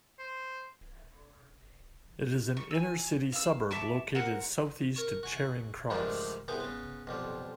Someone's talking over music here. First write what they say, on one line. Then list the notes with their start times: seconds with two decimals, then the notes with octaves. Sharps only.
It is an inner-city suburb located southeast of Charing Cross.
0.19 C5
2.57 C#6
2.71 G#5 E6
3.32 F5 E6
3.71 E5 A5 C#6 D6
4.15 C4 A#4 F#5
4.96 A#4 C#6
5.23 F#4 G#5
5.90 G#2 D#3 F3 G3 A3 D4
6.48 C2 B3 G#4 C5
6.60 C#3 B3
7.07 B1 F2 G3